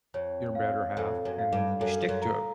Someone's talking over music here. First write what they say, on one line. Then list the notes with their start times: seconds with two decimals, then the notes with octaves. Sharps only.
your better half, and you stick to it.
0.14 F2 C#5
0.55 F5
0.97 F2 A4
1.25 F#2
1.39 F5
1.52 G2
1.81 F#2 A4
2.09 F#2
2.22 A#5